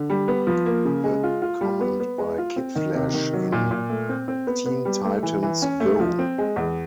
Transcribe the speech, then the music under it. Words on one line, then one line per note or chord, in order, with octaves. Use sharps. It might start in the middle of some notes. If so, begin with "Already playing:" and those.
A comment by Kid Flash in Teen Titans Go!
Already playing: D3
G3
B3
F3
A#3
C#3
G#3
F4
F4
G3
B3
B3
G#3
F4
C4
D#3
C3
D#3
F#3
A#2
A#2
A3
C4
C4
B3
B3
G3
A3
E3
E3
C#4
A3
F3
C4
G#3
E2